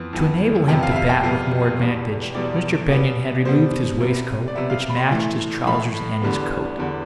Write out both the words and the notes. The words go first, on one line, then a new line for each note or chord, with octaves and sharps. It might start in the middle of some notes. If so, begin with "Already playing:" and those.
To enable him to bat with more advantage, Mr. Benyon had removed his waistcoat, which matched his trousers and his coat.
Already playing: F2 E3 B3
F2 E3 B3
F2 C3 G3 B3 G5
F5
E5
F5
G5
F2 C3 G3 B3
E2 B2 G3 B3
E2 B2 G3 B3 D5
B2 G3 B3
B2 G3 B3 C5
C3 G3 B3
D5
C3 G3 B3 E5
F5
B5
C6
A2 E3 A3
A2 E3 A3 B5
E2 D3 G3 B3
E2 D3 G3 B3